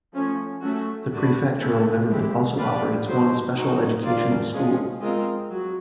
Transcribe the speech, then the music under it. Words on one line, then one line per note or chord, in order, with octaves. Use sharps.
The prefectural government also operates one special educational school.
F3 A3 C#4
F#3 A3 C#4 F#4
A3 D4 F#4 B4
A#3 C#4 E4 A4
E3 G#3 C4 E4 G4
D4 G4 B4 D5 F5
F#3 A#3 D#4 G4 C5
C4 D#4 F#4
C4 F4 A#4 D5 F5
F3 G#3 C#4 F4 G#4
G#3 C4 F4 A#4 D#5
F#3